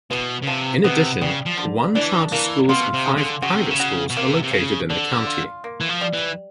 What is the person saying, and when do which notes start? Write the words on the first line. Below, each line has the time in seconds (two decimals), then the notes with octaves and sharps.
In addition, one charter schools and five private schools are located in the county.
0.11 B2 E3
0.42 C#3
0.47 C3 F3
0.84 C3 B3
1.21 C#3 G3
1.46 F3
1.58 D3
1.95 E3 D4
2.32 E3 A#3
2.69 B2 F4
2.94 C3
3.06 G#4
3.18 D3
3.42 C#3 F#4
3.56 C3
3.70 C#3
3.80 F#4
4.10 B2
4.16 C3 A#3
4.43 C3
4.53 C#3 C#4
4.90 D3 D4
5.27 F4
5.64 A#3
5.81 E3
5.89 F3
6.01 G3
6.13 E3